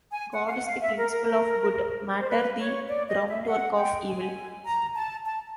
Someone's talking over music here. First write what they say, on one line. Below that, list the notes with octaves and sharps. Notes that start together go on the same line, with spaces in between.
God is the principle of good, Matter the groundwork of Evil.
G#5
F#5
F5
F#5
F5
E5
A#4
A#4
C5
B4
C#5
D5
D#5
E5
F5
F#5
G5
G#5
A#5
A5
A5